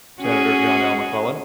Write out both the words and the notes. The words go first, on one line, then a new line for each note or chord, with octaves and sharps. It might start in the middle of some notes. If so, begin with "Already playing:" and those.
Senator John L. McClellan.
C#4 F#4 G#4